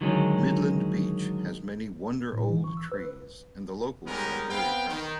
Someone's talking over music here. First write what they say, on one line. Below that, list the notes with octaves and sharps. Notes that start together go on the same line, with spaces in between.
Midland beach has many wonder old tree's and the locals are very friendly.
D3 D#3 F#3 G#3 C#4
A2
E3
C#6
E6
B4
G3 G#3 B3 C#4 D#4 A#4
B3 C4 B4 F5 G5
D#3